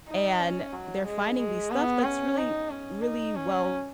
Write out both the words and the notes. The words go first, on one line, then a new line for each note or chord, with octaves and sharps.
and they're finding the stuff that's really, really well
D#4
C#4
F#3
G#3
G#3
B3
C#4
D#4
C#4
D#4
C#4